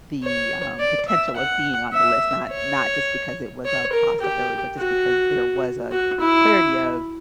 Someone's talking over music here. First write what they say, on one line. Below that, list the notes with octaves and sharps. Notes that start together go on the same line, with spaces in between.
the, um, potential of being on the list, not not just because it was a possibility, but just because there was a clarity of
C#5
D5
E5
F#5
E5
C#5
C#5
A#4
G4
F#4
F#4
E4